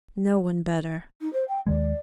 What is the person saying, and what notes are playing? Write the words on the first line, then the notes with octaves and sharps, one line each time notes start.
No one better.
D#4
C5
G5
D#2 D#3 G#3 D5